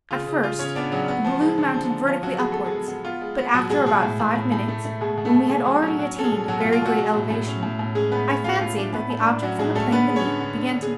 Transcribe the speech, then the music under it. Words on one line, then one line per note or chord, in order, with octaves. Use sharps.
At first, the balloon mounted vertically upwards, but after about five minutes, when we had already attained a very great elevation, I fancied that the objects on the plain beneath began to move from under me.
C#3 F4
C#3
C#3 F4
C#3 C#4 C#5
B3 D4 D5
C#3 F#3 F#4
B3
F3
G#3
D3
F3
D3
F3 F4
F3 F#3 F#4
B3 G#4
B3 A4
G#3 G#4
B3
B3
B3 F4
G#3
B3
B2 F#3 F#4
B2 G#3 G#4
B2 G#3 G#4
A2
A2
A2
A2
A3
A3
B2 G#3 G#4
B2
A3 A4
B2
B2 G#3 G#4
B2 F#3 F#4
F#3 C#4 F#4
F#3 C#4 F#4
C#4 A4
G#3 G#4
B2
B2 F#3 F#4
F4
B2
F4
B2 F#3 F#4
G#3
A2
A2
C#4
A2
A2
G#3 C#4 G#4
A2 B3 B4
C#4 C#5
A2 F4 F5
A2 F4 F5
A2 D4 D5
A2 B3 B4
A2
D4
A2
F#3 C#4 F#4
A2 G#3 G#4
A3 C#4 A4
D3 B3 B4
G#3
C#4 C#5
D3
D3
D3
D3
G#4